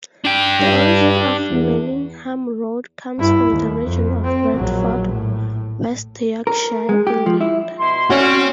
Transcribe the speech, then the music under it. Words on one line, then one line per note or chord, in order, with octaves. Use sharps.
The origin of Manningham Road comes from the region of Bradford, West Yorkshire, England.
D4 G5
G2
E2
G2 E4
D#2
F2
C4
A#1 F#3
A2
A#4
G#3
G4
F3
E4
B2 E4 C6
D3 C4 C#4 F#4 C#5 C6 F6